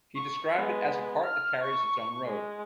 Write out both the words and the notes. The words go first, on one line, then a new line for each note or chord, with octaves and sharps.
He described it as a "cart that carries its own road".
C#6
G#3 B3
F6
C#6
G#3